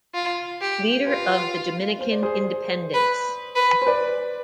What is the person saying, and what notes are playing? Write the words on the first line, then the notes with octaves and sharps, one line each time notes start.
Leader of the Dominican independence.
F4
G4
F4 G4 B4
C5
D5
G#4 C5
B4
B4
C5
B4 D5